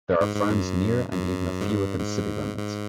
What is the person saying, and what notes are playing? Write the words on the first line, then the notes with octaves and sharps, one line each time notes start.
There are farms near and even a few within city limits.
G#2
G#2
F#2
F#2
G#2
G2
G#2
G#2